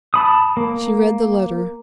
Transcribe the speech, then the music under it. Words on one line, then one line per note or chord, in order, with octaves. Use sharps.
She read the letter.
A5 B5 D#6
A#3